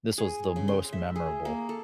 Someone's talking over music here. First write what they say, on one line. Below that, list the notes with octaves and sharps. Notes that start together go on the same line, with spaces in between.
this was the most memorable."
G#4
C#3
C6
E5
G#4
A#3
A4